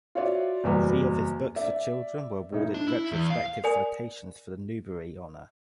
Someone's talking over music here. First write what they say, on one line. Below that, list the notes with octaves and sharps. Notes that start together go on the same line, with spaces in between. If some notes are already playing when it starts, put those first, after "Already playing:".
Three of his books for children were awarded retrospective citations for the Newbery Honor.
F4 F#4 C#5 D5 E5
F#1 E2 G3 B3 F#4
D5 E5
A2 D#4 E4
D4
E4
E2
F5
A#4 D5 G#5